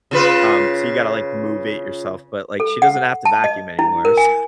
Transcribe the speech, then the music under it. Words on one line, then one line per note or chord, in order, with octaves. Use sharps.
um, so you gotta, like, move it yourself, but, like, she doesn't have to vacuum anymore, so,
C#3 F4 B4
A4
F#5
A5
D#5
E4
A#4
G#5